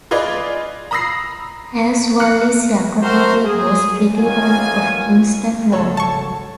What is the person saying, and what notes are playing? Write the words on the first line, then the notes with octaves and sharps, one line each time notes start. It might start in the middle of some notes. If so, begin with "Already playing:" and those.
Hasse Walli's younger brother was Petri Walli of Kingston Wall.
F4 G#4 B4 D5 D#5
A#5 B5 D#6 E6 A#6 C7
F6 F#6 C#7
C4 F#4 A#4 C5
G#4
D#3 F#3 A#3 B3 F4 G#5
G#1 C#3 F#3 A4 C#5
A5 C#6